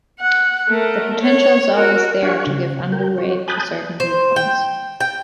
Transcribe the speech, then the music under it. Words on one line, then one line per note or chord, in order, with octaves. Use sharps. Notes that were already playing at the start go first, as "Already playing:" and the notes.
The potential is always there to give undue weight to certain viewpoints.
F#5
A3 A#4
C#5
F#4 A#4
D4 G4 F5 F#5 G#5 C#6
C#3
A#4 G5
F#4 C#5
G#5 A5 B5 D#6 F#6 G6
C5
G5
G5